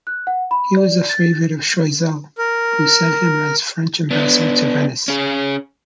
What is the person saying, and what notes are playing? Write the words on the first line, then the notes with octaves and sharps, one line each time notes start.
He was a favourite of Choiseul, who sent him as French ambassador to Venice.
F#6
F#5
B5
D5
A6
A#4
B3 D4
C#4 G#4